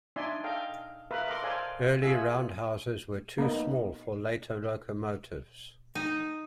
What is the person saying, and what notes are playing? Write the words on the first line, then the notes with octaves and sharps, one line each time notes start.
Early roundhouses were too small for later locomotives.
D4 D#4 D5 E5 G#5 C6
A4 D#5 F5 G5
A#4 B4 E5 F5
A4 D#5 F#5 A#5 C6 D6
A4 C5 D5 F5 G#5 C6
F4 G#4 E5 F#5 G#5 E6
A#3 B3 D#4
D#4